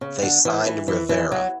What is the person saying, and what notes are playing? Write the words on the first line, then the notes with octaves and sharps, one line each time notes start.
They signed Rivera.
C#3
D3
E3
E3
E3
E3
F#3